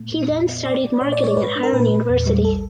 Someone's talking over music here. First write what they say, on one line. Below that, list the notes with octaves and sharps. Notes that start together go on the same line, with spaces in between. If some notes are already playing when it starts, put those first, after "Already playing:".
He then studied marketing at Harran University.
Already playing: A#2 A3
A#2
F2
B3
B2 D5
B2
A#2 C#5
D5
A#2
C#5
G#2 B4
D4
A#4
A#2 B4
A#2
E2
G3
A#1 A4